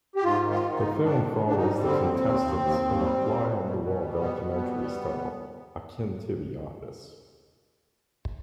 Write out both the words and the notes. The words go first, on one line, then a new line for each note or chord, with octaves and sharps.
The film follows the contestants in a fly-on-the-wall documentary style, akin to "The Office".
G4
G#2 F4
D#3
F4
G#2
D#4
G#2
D#3 D4
G#2
G#2 D4
D#4
G3
D3 C4
D#2
D#2
D#2
D#2
D#2
G3
G3
B2
B2
B2
G3
B2 B3
B2
G3
G3